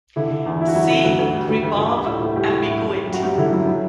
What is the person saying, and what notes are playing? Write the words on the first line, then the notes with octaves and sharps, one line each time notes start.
See Gribov ambiguity.
D3 E4
D3
E2
E2 E4
F#4
F#3 E4
F#4
D3 E4
D2 F#4
D2
G3
D2
D2
D2
G3
A2
A2
A2 G4
A2
A2
F#2
G3
F#2 F#4
F#2 G4
D3 E4
F#2 E4
F#3